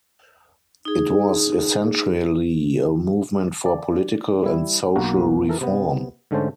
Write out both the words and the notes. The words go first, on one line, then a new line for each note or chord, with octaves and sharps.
It was essentially a movement for political and social reform.
D#4 G#4
D5
G3 E4
B1 A#3 F#4 A#4
E3 A4 A#4
C3 B3
G#2 D3 A3 C#4 C5 A5